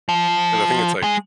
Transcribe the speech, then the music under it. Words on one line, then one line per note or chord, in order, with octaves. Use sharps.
'cause I think it's like
F3
G#3